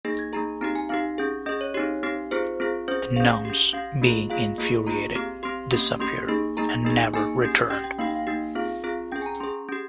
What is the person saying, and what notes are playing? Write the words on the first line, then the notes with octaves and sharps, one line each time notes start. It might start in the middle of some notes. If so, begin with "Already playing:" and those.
The gnomes, being infuriated, disappeared and never returned.
A#3 D#4 G#4 A#6
G#6
A#3 D#4 G#4 A#5
C4 D#4 G4 A#5
G#5
C4 D#4 G4 F5
C#4 G#4
C#4 G#4 D#5
C#5
C4 D#4 G4 C#5
C4 D#4 G4
C4 F4 G#4 C5
C4 F4 G#4
C#4 G#4 C5
C#4 G#4 F5
C#4 G4
C#4 G4 F5
A#3 F4 G#4
A#3 F4 G#4 F5
A#3 F4 G#4
A#3 F4 G#4 A#5
C4 G4
C4 G4 C6
A#3 C#4 G4
A#3 C#4 G4 C6
A#3 D#4 G#4
A#3 D#4 G#4 A#5
A#3 D#4 G#4
A#3 D#4 G#4 G#5
C#4 G4
C#4 G4 G5
G5
A#3 D#4 G4 F5
G5
F5
A#3 D#4 G4
C4 F4 G#4 F5
C4 F4 G#4
C#4 G#4 G5
G#5
A#5
C#4 G#4 C6
C#4 G4